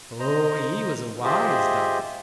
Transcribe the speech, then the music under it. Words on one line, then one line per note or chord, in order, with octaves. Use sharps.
Oh, he was a wise dog.
C5 D#5 A#5
F4 G4 G#4 C5 D#5 E5